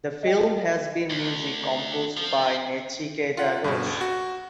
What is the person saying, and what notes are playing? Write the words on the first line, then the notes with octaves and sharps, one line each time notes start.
The film has been music composed by Nachiketa Ghosh.
D#5 G5
D2
F3
F4 F#5
G2 B2
C#2
F#4